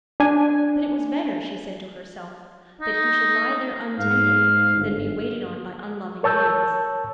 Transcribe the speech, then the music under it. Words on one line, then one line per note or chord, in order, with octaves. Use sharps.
But it was better, she said to herself, that he should lie there untended, than be waited on by unloving hands.
D4 G#5
D#4
G#2 F5
G1
A#4 C#5 A5 E6 G6